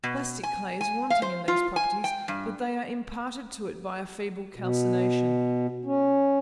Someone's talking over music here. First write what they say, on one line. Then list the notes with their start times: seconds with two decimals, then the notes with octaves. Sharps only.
Plastic clay is wanting in these properties; but they are imparted to it by a feeble calcination.
0.04 B2
0.43 G#5
0.81 G#5
1.10 F5
1.22 C5
1.48 F4
1.76 G#5
2.04 G5
2.28 G2
4.56 B2
5.85 C#4